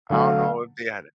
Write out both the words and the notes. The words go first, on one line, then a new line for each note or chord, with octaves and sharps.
I don't know if they had it
D3 F#3 A3 F5